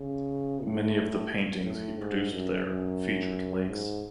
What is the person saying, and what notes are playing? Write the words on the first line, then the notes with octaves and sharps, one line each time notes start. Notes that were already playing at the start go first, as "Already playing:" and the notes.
Many of the paintings he produced there featured lakes.
Already playing: C#3
A2
A2
G#2
F#2
F#2
G#2